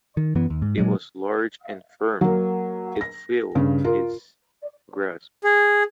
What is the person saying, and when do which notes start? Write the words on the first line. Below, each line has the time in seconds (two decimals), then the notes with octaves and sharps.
It was large and firm; it filled his grasp.
0.17 D#3
0.35 F#2 E3 B3
0.50 D#2
0.62 G#2
0.77 A#2 F#3 G#3
2.21 F#3 A#3
3.01 A#6
3.55 G2 C#3
3.84 F4 A#4
5.44 G#4